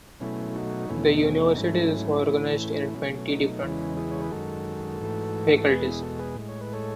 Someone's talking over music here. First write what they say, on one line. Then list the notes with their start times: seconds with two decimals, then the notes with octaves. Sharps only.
The university is organized in twenty different faculties.
0.20 B2 F#3 A3 C#4 E4
0.55 D#4 F#4
0.89 E2 B2 A3 C#4 E4
1.06 D#4
1.23 C#4
1.41 D#4
1.52 F#4
1.57 G#2 F#3 A3 C#4 E4
2.26 A2 E3 A3
2.94 B2 F#3 A3 C#4
3.28 D#4
3.62 E2 C#3 E3 G#3 C#4 E4
3.97 E4 G#4
4.11 C#5
4.22 B4
4.31 F#2 D#3 G#3 F#4 A4
5.00 G#2 E3 A3
5.57 A4
5.67 E2 B2 G#3 G#4 B4
5.84 E4 G#4
6.02 F#4 A4
6.19 G#4 B4
6.36 A2 G#3
6.48 C#5
6.61 B4
6.73 A4 C#5